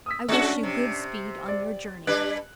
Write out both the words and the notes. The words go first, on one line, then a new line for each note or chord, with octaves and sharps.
I wish you good speed on your journey.
D#6 E6 B6
G#3 C#4 D4 F#4
C3
D5
G3 D4 B4 F#6